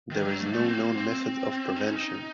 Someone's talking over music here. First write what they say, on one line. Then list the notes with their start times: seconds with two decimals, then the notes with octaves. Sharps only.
There is no known method of prevention.
0.11 D#3
0.25 F#3
0.39 A3
0.47 A#3
0.53 A3
0.63 C4
0.73 A#3
0.84 A#3
0.95 C4
1.76 D#4
1.86 C#4
1.96 D#4